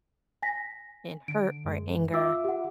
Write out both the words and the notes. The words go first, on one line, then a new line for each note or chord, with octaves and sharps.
in hurt or anger,
G#5 A#6 B6
D3 D7
F#2 G#3
F4 E5 D6 E6
G4 F#5